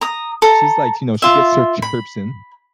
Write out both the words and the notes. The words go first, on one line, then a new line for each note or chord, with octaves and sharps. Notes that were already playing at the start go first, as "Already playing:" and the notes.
she's like you know, she gets her chirps in,
A#5 D#6
A4 A#5
F4 E5
B5